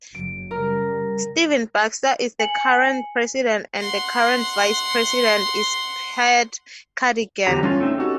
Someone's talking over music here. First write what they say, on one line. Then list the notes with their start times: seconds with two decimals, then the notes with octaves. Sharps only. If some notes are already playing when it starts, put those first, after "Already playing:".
Stephen Baxter is the current President and the current Vice-President is Pat Cadigan.
0.15 F#1 F#3 D7
0.51 C#3 G3 A#4
2.39 G#5 C#7 F#7
3.79 F#5 C6
7.47 E2 D3 G4 A#5
7.63 G3 C#4 D4 F4
7.80 A3 C4 D#4
7.98 C#4 D#4 F#4 G4 A4